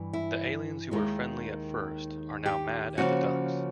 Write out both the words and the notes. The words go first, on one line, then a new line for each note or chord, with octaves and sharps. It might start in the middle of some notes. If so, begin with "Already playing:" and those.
The aliens who were friendly at first are now mad at the Ducks.
Already playing: G2 E3
E4
D#2 D#3 G#3
G4
C#3 F3 A#3 C#4 F#4